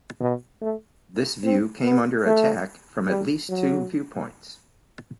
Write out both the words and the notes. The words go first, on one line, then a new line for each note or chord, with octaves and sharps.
This view came under attack from at least two viewpoints.
B2
A3
C4
B3
A3
G3
F#3